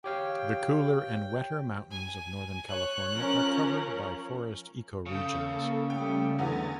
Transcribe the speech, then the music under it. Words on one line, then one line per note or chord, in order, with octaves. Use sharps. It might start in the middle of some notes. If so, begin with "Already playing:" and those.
The cooler and wetter mountains of northern California are covered by forest ecoregions.
G4 C#5 F5 G5
G#5
C#5 F#6
F3 C#4 A#4
C#3 A4 E6 G6
A#3 A4
G3 A3 C#4 G5
E2 D3 B3 G#5 A#5 A6